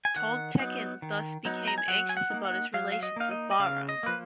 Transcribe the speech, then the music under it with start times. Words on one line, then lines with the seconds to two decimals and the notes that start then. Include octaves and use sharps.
Toghtekin thus became anxious about his relations with Bahram.
0.05 G#5
0.16 D#3 F#5
0.59 F#3 B3 D#4
1.02 D#3
1.45 F#3 B3 D#4
1.68 A#5
1.78 G#5
1.88 F#3 F#5
2.09 G#5
2.17 F#5
2.30 A#3 D#4
2.45 F#5
2.74 F#3 F5
2.92 F5
3.03 D#5
3.16 A#3 D#4 F5
3.31 D#5
3.51 D#5
3.59 C#3 F5
3.89 D#5
4.03 F3 A#3 B4